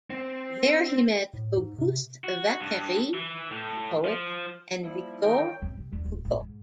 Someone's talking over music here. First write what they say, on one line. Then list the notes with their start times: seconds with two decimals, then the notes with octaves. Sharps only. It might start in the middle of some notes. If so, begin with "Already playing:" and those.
There he met Auguste Vacquerie, a poet, and Victor Hugo.
0.10 C4
1.33 A2
1.57 G#2
1.78 C3
2.24 F#4
2.60 G2
3.14 E3
3.51 A2
4.05 F3
4.82 F3 G3 A#3 E4
5.23 D#3 E3 D#4 C#5 G5
5.62 F#2 C4
5.77 C3
5.92 D#2 D4
6.05 D1
6.25 G#1 A2
6.40 G#2